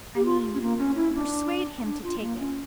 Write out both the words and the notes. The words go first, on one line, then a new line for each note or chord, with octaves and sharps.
I mean, persuade him to take it....
G4
F4
C#4
A#3
C#4
E4
D4
D4
F4
A#3
C#4